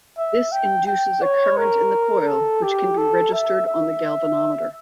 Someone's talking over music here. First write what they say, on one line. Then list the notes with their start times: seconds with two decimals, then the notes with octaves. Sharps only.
This induces a current in the coil which can be registered on the galvanometer.
0.18 E5
0.52 G5
0.87 G5
1.22 C#5
1.57 A#4
2.27 A4
2.63 G4
2.98 A4
3.33 E5
3.67 E5